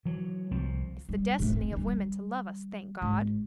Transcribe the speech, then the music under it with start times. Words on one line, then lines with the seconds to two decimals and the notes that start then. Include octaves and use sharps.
It's the destiny of women to love us, thank God.
0.05 E3 F#3
0.51 C2 F3 C4
1.09 G3
1.39 A2 A3
1.53 C4
1.72 D#3 G3
3.02 G#1